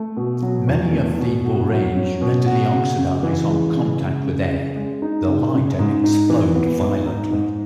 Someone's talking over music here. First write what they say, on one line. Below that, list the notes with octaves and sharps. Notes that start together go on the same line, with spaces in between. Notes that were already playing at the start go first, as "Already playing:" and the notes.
Many of the boranes readily oxidise on contact with air, the lighter explode violently.
Already playing: A3
B2
F#3
E2
A3
B2
F#4
F#3
C#4
B2
F#4
C#3
C#3
E3
G#3
C#3
C#3
C#3
C#3
G#3
D#4
C#3
C#3
G#2
D#4
E3
B3
G#2
D#4
G#2